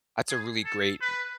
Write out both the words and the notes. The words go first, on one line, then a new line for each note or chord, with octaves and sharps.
That's a really great,
G#4
A4
B4